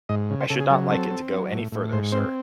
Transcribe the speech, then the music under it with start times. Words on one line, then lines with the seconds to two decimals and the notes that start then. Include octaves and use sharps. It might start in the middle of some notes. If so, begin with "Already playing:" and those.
I should not like it to go any further, sir.
0.09 G#2 D#5
0.30 C#3
0.41 C5
0.50 C#3 A4
0.60 G#4
0.70 F#3 A4
0.91 C4 A4
1.10 C4
1.31 F#3
1.52 A2
1.72 A2
1.92 G#2 C5
2.12 C4 C5